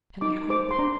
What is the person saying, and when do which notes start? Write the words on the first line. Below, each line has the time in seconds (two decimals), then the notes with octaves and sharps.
Can I hope?
0.21 D#4 D6
0.50 C5 D6
0.71 C6
0.79 D4 A#5